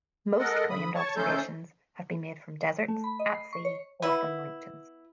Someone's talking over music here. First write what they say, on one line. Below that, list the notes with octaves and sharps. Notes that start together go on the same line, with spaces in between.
Most claimed observations have been made from deserts, at sea, or from mountains.
G#3 A4 A#4 D#5 F#5
D3 B5 D#6
C#5 A5 C#6
A3 C#4 D#4 A4 C5 G6
A3
B5
D#5
C7
C#6
C#5
B3 E4